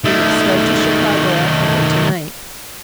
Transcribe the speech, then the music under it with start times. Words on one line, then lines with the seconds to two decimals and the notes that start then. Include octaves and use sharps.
They were to start to Chicago after her to-night.
0.04 D#3 A3